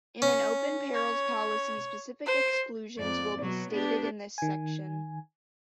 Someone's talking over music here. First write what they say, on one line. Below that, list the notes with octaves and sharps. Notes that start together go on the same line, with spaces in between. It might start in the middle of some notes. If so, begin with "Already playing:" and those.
In an open perils policy, specific exclusions will be stated in this section.
C#4
C#5
C5
F2 D5
B2 F#3
B3 D4 G4
D#3 G#5